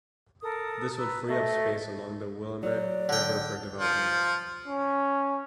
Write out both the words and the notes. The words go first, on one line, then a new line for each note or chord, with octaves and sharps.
This would free up space along the Willamette River for development.
A4 A#4 D#6
B4 A#5 E6
A3 D#5
F#3 D5
D3 G5
F3
C#4